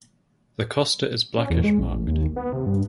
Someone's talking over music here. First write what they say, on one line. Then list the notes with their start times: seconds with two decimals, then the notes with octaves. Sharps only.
The costa is blackish marked.
1.37 C#4
1.50 E2
1.64 G#3
1.80 A#1
1.94 A1
2.07 D#2
2.36 B3
2.53 C3
2.66 G2